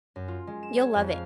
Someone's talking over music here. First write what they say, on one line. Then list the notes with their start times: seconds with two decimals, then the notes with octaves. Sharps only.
You'll love it.
0.16 F#2
0.28 F4
0.47 G#3
0.63 E7
0.76 C#5
0.95 F2
1.10 F5